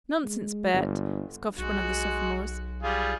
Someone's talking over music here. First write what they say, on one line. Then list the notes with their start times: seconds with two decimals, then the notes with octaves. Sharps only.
"Nonsense, Bert," scoffed one of the sophomores.
0.24 G#3
0.74 G1
1.58 B1 G#3 F#4
2.83 G3 F4 G#4